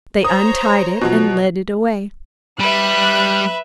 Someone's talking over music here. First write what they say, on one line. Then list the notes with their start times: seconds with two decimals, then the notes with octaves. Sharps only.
They untied it, and led it away.
0.24 C5 C#5 A#5 D#6
1.01 B2 F3 F#3
2.60 G3 B4 E5 B5 F#6